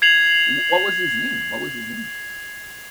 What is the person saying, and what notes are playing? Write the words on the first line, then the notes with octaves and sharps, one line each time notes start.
W what was his name? What was his name?
G#6 C7 F7 F#7